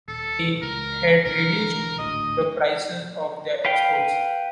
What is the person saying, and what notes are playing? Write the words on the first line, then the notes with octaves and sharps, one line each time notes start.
They had reduced the prices of their exports.
D#1 A4
C#2 A#4
B1 D3 E3 A#4
D1 G#1 D2 D#5
B4 F5 G5